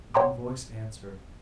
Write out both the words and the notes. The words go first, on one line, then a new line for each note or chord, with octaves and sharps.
One voice answered.
C#5 F#5 G5 A#5 C6 D6